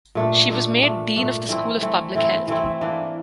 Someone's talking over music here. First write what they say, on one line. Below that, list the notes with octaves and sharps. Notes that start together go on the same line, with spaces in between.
She was made Dean of the School of Public Health.
A#2 A3 D4
A#2 A3 D4
A#2 A3 D4
A#2 A3 D4
E3 A3 C4 E4
E3 A3 C4 E4
E3 A3 C4 E4
E3 A3 C4 E4
E3 A#3 D4